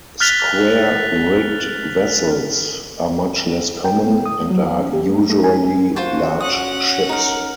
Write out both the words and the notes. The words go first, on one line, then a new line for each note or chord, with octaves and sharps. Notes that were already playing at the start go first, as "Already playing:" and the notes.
Square-rigged vessels are much less common, and are usually large ships.
F6 F#6 A6 B6 F7 G7
G5
B3
D#6
F#3
F5
C#4
G4
A3
A3
G#5
F4 F#4 C5 A5
C#4 F#5 D#6
D#4 A#4